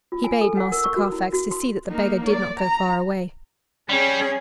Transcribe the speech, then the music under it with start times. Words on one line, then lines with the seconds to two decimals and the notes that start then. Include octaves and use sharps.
He bade Master Carfax to see that the beggar did not go far away.
0.12 F4
0.24 G#5
0.41 A4
0.57 F#5
0.72 A#4
0.84 C#6
0.96 F#4
1.12 E4
1.33 F#4
1.51 C6
1.89 A#3 D#4
2.26 D5
2.60 A#5
3.89 G3 C#4 G#4